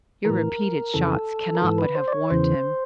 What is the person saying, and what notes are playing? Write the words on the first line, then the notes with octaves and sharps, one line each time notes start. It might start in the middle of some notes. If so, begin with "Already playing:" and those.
Your repeated shots cannot but have warned him.
A2 E3 A#4
F2 C#3 E3 A4
A#4
G#2 E3 A4
B4
C5
D5
C#5
E2 C#3 E3 C5